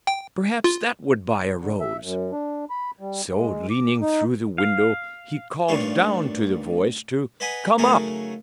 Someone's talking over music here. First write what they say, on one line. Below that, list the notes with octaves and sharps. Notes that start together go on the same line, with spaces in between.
Perhaps that would buy a rose! So, leaning through the window, he called down to the voice to "come up."
G5
F4
D3
E5
F#2
D4
B5
G3
G#3
D6
D#4
F5
A1 G2 A#2 D#3 F5 C#6
B4 D#5 F#5 G#5 A#5 B5
C#3 F#3 A3 D#4 G#4 A#4